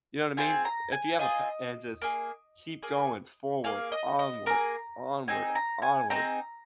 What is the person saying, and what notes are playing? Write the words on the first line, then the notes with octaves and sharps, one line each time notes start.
you know what I mean? If you have a pa and just keep going forward, onward, onward, onward.
C4 F4 G#4 G#5
A#5
G#5
C4 F4 G#4 D#5
A#3 G#4
A#3 G#4
A#3 G#4 F5
D#5
D#5
A#3 G#4 A#5
C4 D#4 G#4 G#5
A#5
G#5
C4 D#4 G#4 A#5